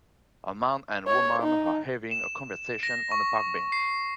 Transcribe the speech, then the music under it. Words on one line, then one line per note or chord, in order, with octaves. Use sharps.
A man and woman are having a conversation on a park bench.
C#5
D#4
E7
A#6
C#6
C7